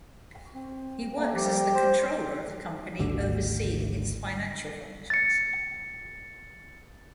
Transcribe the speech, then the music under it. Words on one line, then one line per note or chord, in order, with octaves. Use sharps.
He works as the Controller of the company overseeing its financial functions.
C4
A3 A#3
F3 G3 G4
C5
G#1 D2 D3
A6 C#7